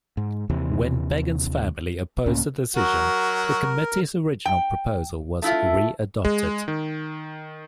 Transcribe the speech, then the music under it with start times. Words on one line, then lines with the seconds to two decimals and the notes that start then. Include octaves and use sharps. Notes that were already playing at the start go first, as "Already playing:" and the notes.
When Begin's family opposed the decision, the committee's original proposal was readopted.
0.17 G#2
0.49 D#2 C3 E3
2.26 C#2 A2 A#3 C#4
2.76 F#3 F#4 A#4
4.45 G5
5.42 A3 E4 F4
6.25 G#3
6.68 D#3